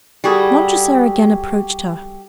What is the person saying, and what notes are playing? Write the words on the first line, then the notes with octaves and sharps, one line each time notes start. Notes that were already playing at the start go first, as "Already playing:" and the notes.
Montresor again approached her.
G3 F#4 G#4 A4